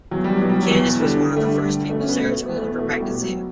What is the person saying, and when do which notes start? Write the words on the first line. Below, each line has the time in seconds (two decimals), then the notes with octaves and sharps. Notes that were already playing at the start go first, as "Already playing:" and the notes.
Candice was one of the first people Sarah told of her pregnancy.
0.11 E2 F#3
0.24 G3
0.37 B2 F#3
0.49 G3
0.62 F#3
0.71 E2
1.00 D3 G3
1.31 D3
1.36 A3
1.44 G3
1.60 G2
1.89 B2 A3
2.00 C#4
2.09 B3
2.19 B2 A3
2.48 E2 B3
2.56 A3
2.65 B3
2.78 B2 A3
2.96 A3
3.00 G3
3.08 B2
3.22 F#3